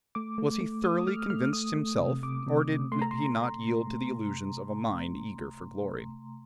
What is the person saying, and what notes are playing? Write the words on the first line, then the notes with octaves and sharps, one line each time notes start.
Was he thoroughly convinced himself, or did he not yield to the illusions of a mind eager for glory?
A3 D6
A3
A3
A3 D#6
A3 F6
A3 F6
A3 D#6
A3
C3
C3 D6
C3
C3
A3 C6
A#5
C6